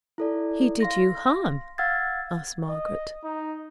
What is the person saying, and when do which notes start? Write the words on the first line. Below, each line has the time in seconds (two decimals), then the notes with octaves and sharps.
'He did you harm?' asked Margaret.
0.18 E4 A4 D5
0.80 F5 C6 A#6
1.78 F5 F#5 E6 F6 G#6 A6
2.68 D#5
3.24 D#4